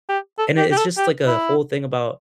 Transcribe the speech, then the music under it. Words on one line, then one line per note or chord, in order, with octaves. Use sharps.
and it's just, like, a whole thing about
G4
A4
G4
G4
A4
G4
E4